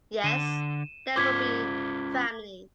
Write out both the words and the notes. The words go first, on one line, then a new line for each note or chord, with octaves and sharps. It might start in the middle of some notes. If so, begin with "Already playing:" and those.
Yes... There will be family...
D3 D#7 E7
C#4 F4 C5 D6 G#6 B6